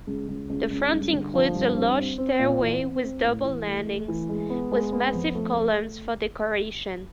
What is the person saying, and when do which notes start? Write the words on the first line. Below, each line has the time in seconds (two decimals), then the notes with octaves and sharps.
The front includes a large stairway with double landings, with massive columns for decoration.
0.07 C#2
0.28 C#2
0.49 C#2
0.71 C#2
0.92 G2
1.13 D3
1.34 F3
1.55 G2
1.76 C4
1.97 C4
2.18 C4
2.39 A#2
2.61 E3
2.82 C4
3.03 C4
3.24 A2
3.44 E3
3.66 A3
3.87 A3
4.08 E3
4.29 G#3
4.50 B3
4.71 G#3
4.92 B3
5.13 F2
5.35 A3
5.56 A3